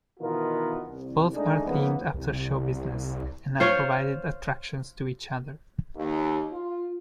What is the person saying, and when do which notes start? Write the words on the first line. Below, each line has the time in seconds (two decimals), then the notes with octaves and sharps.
Both are themed after show business, and have provided attractions to each other.
0.20 B2 D#3 E3 B3 F4 A#4
0.87 C2
1.34 G#3 A3 D4 D#4 G#4
1.65 G#2 C#3 F3 A#3 B3
2.14 C2
3.60 F4 C5 C#5
5.96 D#2
6.52 F4